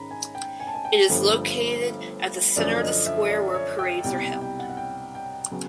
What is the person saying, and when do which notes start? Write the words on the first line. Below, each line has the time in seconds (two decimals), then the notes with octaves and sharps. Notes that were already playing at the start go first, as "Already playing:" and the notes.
It is located at the center of the Square where parades are held.
Already playing: G#2 D#3 G#3 C#4 A#5 B5
0.11 G#5
0.35 G5
0.60 G#5
0.67 A5
0.74 G#5
0.85 G5
1.09 G1 G2 D3 F3 A3
2.56 F#2 D3 F3 D5
2.82 D#5
3.06 E5
3.30 D5
3.54 C#5
3.79 G5
4.04 C2 B2 G3 G5
4.23 G5
4.41 G5
4.59 F#5
4.70 F#5
4.77 G5
5.15 G5
5.51 C#3 F#3 B3